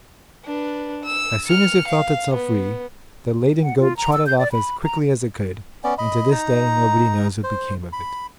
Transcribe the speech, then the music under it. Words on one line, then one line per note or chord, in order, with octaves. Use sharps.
As soon as it felt itself free, the laden goat trotted off as quickly as it could, and to this day nobody knows what became of it.
D4 B4
E6
F6 C#7
F5
B3
F#5
F4
A#5
E6
G6
D5
B5
A#5
B3 C#4 D5
D#5 B5
D#4 A#5
C5
B5